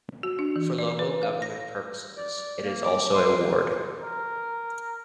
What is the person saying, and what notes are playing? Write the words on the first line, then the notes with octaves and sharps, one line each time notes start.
For local government purposes, it is also a ward.
F#4
D4
E3
D5
B4
F5
A#6
D5
A#3
D6
C6
A#4